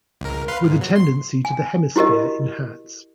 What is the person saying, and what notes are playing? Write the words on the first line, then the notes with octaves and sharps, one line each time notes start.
With a tendency to the hemisphere in hats.
C#2 A#4
B4 F5 C6
G#2
F#3
C6
G#5
E4 F#4 G4 A#4 D#5